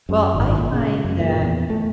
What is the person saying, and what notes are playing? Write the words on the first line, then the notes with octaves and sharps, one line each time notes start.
Well, I find that
F#2
G#1
A#2
C#3
F#2
A#2
E2
A3